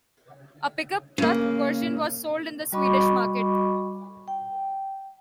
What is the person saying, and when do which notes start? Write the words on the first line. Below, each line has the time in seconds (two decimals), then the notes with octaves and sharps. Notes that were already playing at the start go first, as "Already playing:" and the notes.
A pickup truck version was sold in the Swedish market.
1.18 C#3 A#3
2.73 G3 F#4 D#5 B5 C#6 D6
4.28 G5